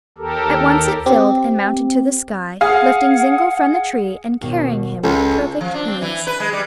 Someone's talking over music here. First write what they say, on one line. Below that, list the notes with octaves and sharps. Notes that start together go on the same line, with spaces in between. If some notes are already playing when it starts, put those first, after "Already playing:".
At once it filled and mounted to the sky, lifting Zingle from the tree and carrying him with perfect ease.
D#2 G4 A4 A#4
C4 G4
G#4 F5 F#5
D#2 B2
C#2 A4
F3
D4
C4
E3
B4
G#3
G3